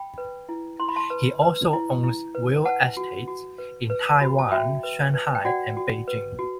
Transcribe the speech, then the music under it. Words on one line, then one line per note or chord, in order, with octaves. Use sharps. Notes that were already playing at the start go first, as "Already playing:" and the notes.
He also owns real estates in Taiwan, Shanghai, and Beijing.
Already playing: G5 B5
B4
E4
E4 C6
B5
A5 C6
B4
B4
E4
E4
B4
B4 F#5 A5
F#4
F#4
B4
B4
F#4 B5
A5
F#4 E5 G5
B4
B4
G5
F#4 D5 F#5
F#4
B4
F#4